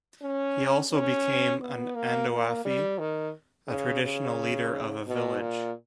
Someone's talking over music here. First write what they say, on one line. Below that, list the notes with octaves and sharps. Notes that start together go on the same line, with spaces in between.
He also became an "ondoafi", a traditional leader of a village.
C#4
C#4
B3
A#3
A#3
G3
D#3
C#3
C#3
B2
A#2